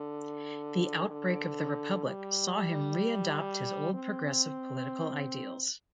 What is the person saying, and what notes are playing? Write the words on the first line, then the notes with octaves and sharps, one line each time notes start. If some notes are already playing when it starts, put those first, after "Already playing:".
The outbreak of the Republic saw him re-adopt his old progressive political ideals.
Already playing: D3
D3
G3
C4